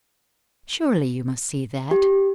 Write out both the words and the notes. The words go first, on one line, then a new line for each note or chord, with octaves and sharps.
Surely you must see that.
G4